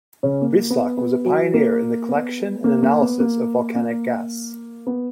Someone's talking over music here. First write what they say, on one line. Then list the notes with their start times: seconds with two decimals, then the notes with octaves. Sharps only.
Breislak was a pioneer in the collection and analysis of volcanic gas.
0.23 C#3 C#4
0.42 A#3
0.70 B3
0.98 B3
1.25 F#3 F#4
1.54 A#3 A#4
2.09 B3
2.64 A#3
2.82 A#3
3.01 B3
3.20 A#3
3.75 A#3
4.87 B3